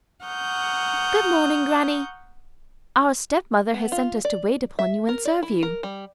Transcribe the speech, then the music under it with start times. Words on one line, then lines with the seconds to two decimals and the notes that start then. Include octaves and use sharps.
'Good-morning, granny; our step-mother has sent us to wait upon you, and serve you.'
0.25 F#5 A#5 C#6 D#6 F6 G6
3.74 B3
3.92 F4
4.25 D5
4.79 E5
5.09 A#4
5.25 D5
5.43 E4
5.63 A#4
5.83 G3